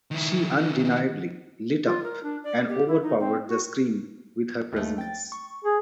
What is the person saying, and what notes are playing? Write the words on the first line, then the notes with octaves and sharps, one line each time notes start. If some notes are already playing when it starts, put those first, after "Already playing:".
She undeniably lit up and overpowered the screen with her presence.
D#3 E4
F4
A#4
D4
D5
G4
E4
D#4
C4
F#4
D#2 A3
G5 A6
C#6
G#4